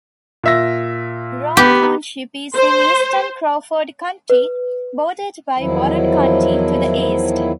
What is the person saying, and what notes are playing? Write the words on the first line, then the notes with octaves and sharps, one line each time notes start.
Rome Township is in eastern Crawford County, bordered by Warren County to the east.
A#2 E5 A#6
B3 G4
C5
B4
E2 D#3 F3 F#3 E4